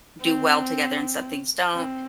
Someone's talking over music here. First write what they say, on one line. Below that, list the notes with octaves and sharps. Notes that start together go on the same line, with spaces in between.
do well together and some things don't.
C4
C4